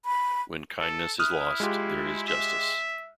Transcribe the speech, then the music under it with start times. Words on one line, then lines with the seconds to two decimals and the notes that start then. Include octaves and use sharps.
When kindness is lost, there is justice.
0.05 B5
0.81 A4
1.20 E4 D#6 F6 F#6
1.60 G#3 F4 G4
2.28 E5